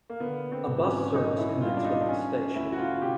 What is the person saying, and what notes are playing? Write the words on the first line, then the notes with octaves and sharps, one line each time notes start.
A bus service connects with the station.
A#3
D3 B3
C4
G#1
C#4
F#2 D#4
E4
G3 F4
D4
D#4
D4
E3 C#4
D2 E4
F#4
F4
C3 G4